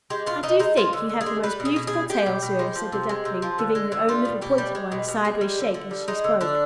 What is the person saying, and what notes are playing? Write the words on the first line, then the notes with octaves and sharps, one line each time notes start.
"I do think you have the most beautiful tail, sir," said a Duckling, giving her own little pointed one a sideways shake as she spoke.
G#3 G4
B2 F4
B2 D#4
G#3 D#4
G#3 F4
D3
D3
G#4
G#3
G3 B4
B2
G#4
B2
G#4
G3
G#3 G4
B2
B2
G#3
F3
C3
G#3
C3
F3
D3
G#3
D3
G3 F4
B2
B2 G4
G3
G#3
B2
B2
G#3
G3
D3
D3
G3
G#3 D#4
D3
D3 D4